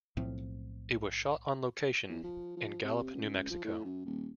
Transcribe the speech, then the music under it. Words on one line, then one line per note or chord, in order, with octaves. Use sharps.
It was shot on location in Gallup, New Mexico.
B1 A2 F3 C4
E2
F3
F3
C3
C#2
F3
A2
F#2
D#1